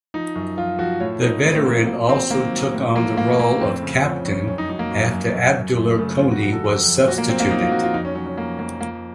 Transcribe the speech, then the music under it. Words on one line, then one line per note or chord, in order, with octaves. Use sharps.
The veteran also took on the role of captain after Abdulla Koni was substituted.
F3 D#4
F#2
F3 F4
F3 F#4
A2 C#5
F3 D#4
A2 C4
A3
F3 A#3
F#3 A#3
F#3 C4
D#3 A#3
F#3
A2
F3 A#3
A2 A#3
A2 A#3
F2 C4
C#3
F3 C#4
F2 C#4
F#2 C#4
D#4
F#3 D#4
A#3
F#2
F#2
F#2
F#2
F#2 A3
C#3 A3
F2 F4
F#4
F#3 F#4
A4
F2 A4
F2
A#2 F#4
A#3
F#3 C4
A#3
F#3 D#4
F4
F#3 F#4
F4
F2 D#4
C#4
F#3 C#4
C#4
F2 A#3
F2 A#3
F3 A#3